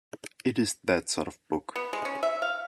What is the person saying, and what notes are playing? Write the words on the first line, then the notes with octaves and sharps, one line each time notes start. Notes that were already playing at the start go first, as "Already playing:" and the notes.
"It is that sort of book.".
B3
G#3
C#4
E5
F5